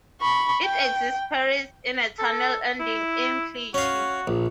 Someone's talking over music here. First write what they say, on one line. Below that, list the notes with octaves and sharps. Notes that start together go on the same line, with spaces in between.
It exits Paris in a tunnel ending in Clichy.
B5 C#6
G5
A4
E4
C#4 F#4 F5
A#1